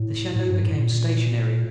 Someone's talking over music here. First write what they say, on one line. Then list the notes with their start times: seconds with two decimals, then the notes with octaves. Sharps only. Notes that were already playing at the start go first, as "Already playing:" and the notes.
The shadow became stationary.
Already playing: A2
0.36 A2
0.50 G2
0.63 A2
0.77 A#2